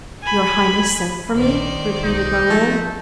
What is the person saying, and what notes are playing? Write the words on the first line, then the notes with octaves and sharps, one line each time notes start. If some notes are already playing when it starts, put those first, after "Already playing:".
"Your highness sent for me?" repeated Raoul.
G#5 B5
A#1 D#3 C5 D5
B1 D#4
F3 A3